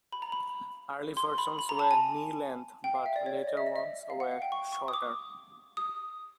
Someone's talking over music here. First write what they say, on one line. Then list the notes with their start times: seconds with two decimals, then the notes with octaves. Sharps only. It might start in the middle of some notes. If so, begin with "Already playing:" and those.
Early versions were knee-length but later ones were shorter.
0.12 B5
0.22 A#5
0.32 B5
1.17 C6
1.38 B5
1.59 B5
1.69 A#5
1.79 A5
1.91 G#5
2.84 G5
2.95 F5
3.06 E5
3.16 D5
3.26 C#5
3.37 D5
3.47 D#5
3.57 E5
3.67 D#5
3.76 E5
4.10 F5
4.20 F#5
4.31 F5
4.42 G5
4.52 C#6
4.73 C#6
4.88 D#6
4.93 D6
5.77 D#6